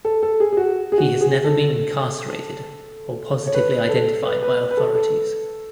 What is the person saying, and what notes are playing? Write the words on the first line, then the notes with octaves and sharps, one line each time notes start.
He has never been incarcerated or positively identified by authorities.
A4
A4
G#4
G#4
F#4
G#4
F#4
G#4
A4
C#5
B4
A4
B4
B4
B4
A4
A4